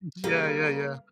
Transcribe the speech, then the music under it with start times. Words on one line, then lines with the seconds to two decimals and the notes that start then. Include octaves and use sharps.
Yeah, yeah, yeah.
0.24 C#3 G3 A#3